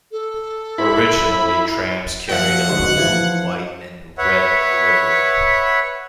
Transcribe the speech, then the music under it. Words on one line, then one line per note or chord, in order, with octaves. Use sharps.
Originally trams carried a blue, white and red livery.
A4
E4 B5
A#2 F3 E5 F#5
D2 G#2 B2
E3 F3
B4 C#5 E5 F#5